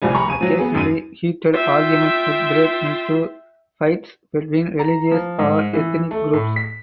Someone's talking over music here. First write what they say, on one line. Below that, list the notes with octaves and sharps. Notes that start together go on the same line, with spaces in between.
Occasionally heated arguments would break into fights between religious or ethnic groups.
F1 C2 F3 G3 G#5
A#5 B5 C#6
G#5 D#7
F3 F#3
B3 G#4
F#2 D#7
F4 E5 G5
A#5
F3
G#2
E3
A3
A2
B6